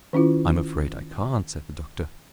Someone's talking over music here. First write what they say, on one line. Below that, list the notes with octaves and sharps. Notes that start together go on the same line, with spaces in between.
"I am afraid I can't," said the Doctor.
D#3 C#4 E4 F4